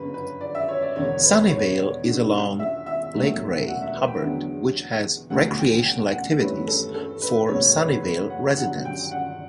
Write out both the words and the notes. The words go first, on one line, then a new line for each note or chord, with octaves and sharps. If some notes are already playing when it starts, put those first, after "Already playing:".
Sunnyvale is along Lake Ray Hubbard, which has recreational activities for Sunnyvale residents.
Already playing: G1 F#2 C#3 B4
B4
D5
E5
C#5
D5
E1 E2 D3 C#5
B4
C#5
D5
B1 B2 G3 D4
E5
E5
E1 D2 D3 F#3 A3
F#5
E5
B4
G5
E2 D3 F#3 B3 D4
E1 D2 D3 F#3 F#5
G5
G5
F#5
G2 E3 A3 C#4 E4 B4
A4
A4
B4
F#1 E2 B2 A3 C#5
B4
B4
F#5
G1 G2 D3 F#3 F#5
G5
F#5